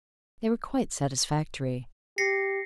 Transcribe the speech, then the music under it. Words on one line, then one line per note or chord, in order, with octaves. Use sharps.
They were quite satisfactory.
G4 A#6 C7 C#7